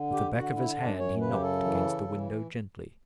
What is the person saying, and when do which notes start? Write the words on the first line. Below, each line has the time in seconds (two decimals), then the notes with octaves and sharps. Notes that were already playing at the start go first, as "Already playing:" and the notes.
With the back of his hand he knocked against the window gently.
Already playing: D3
0.12 G4
0.34 D3 F#4
0.56 E4
0.78 F#2 D4
0.99 C#5
1.21 C#3 B4
1.32 G4
1.42 A4
1.64 E3
2.08 E3